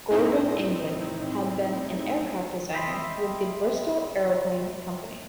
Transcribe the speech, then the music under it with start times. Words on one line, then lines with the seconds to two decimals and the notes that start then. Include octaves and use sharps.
Gordon England had been an aircraft designer with the Bristol Aeroplane Company.
0.11 A2 C4 D#4 E4
2.73 D#5 E5 G5 B5 C6